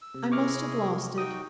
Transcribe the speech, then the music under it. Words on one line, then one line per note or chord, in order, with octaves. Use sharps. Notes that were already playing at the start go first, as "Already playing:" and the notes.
"I must have lost it."
E6
C3
E4 G#4 D#5 C#6 D6 F6
D#4 F#4 G5 D#6